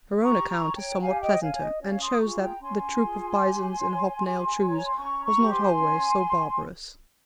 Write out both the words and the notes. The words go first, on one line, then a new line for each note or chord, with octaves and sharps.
Her own account is somewhat pleasanter, and shows that 'the troop of bisons in hob-nailed shoes' was not always so barbarous.
G4 A#5 C#6
A#5 C#6
C#5
G5 A#5
G4 F5 G#5
D#5 G5
C#5 F5 G#5
C#5
D#5
C#4 C#5 F5
C6 D#6
F4 G#4 A#5 C#6
G5 A#5
C#4 G#5 C6
F4 G#4
G4
C#5
G4
C#5
A#5
C6
C#4 A#5 C#6
A#5 C#6
G4 C5
G#5 C6
C#4